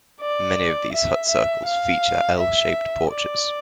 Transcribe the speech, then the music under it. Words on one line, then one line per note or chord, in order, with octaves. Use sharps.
Many of these hut circles feature L-shaped porches.
D5
E5
E5
F5
E5
D5